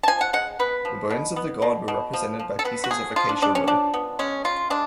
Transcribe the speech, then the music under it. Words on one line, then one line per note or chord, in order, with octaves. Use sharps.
The bones of the god were represented by pieces of acacia wood.
A5
F3 G#5
F#5
G#3 F#5
B3 B4
F3
B2
B3
B2
B2
F3
F3
A4
B3 B4
F#4
F3 G#4
F3 F4
D4
G#3 D4
C#4
F3 D4
B3
G#3 C#4
C#3 F4
G#3 D4